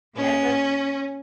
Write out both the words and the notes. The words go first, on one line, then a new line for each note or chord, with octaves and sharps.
that's like
A#2 G#3 C#4